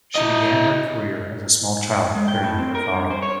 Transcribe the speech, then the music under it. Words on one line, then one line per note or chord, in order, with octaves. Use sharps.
She began her career as a small child appearing with her father.
E4 D#5
G#3
G5
A2
C4
A#4
G2
C5
C#5